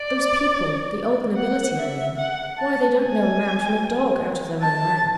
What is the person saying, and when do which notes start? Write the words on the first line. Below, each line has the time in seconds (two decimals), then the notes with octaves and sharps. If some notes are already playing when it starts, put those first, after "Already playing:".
Those people--the old nobility I mean--why they don't know a man from a dog, out of their own rank!
Already playing: D5
1.36 F#5
1.78 E5
2.17 F#5
2.57 A5
2.99 G#5
4.61 A5